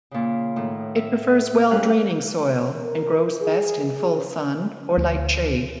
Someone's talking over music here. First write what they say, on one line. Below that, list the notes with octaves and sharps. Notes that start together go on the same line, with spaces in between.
It prefers well-draining soil, and grows best in full sun or light shade.
A#2 C#3
A2 D#3
E5
G3 G#3 C#4 F5 F#6
A#4
G#4
D2